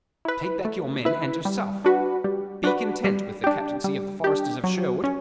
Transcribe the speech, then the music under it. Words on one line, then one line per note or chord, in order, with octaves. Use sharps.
Take back your men and yourself; be content with the captaincy of the foresters of Sherwood.
E4 B4
A3
E4 B4
G3
D4 F#4 B4
G3
D4 F#4 B4
G3
D4 G4
G3
D4 G4
F#3
C#4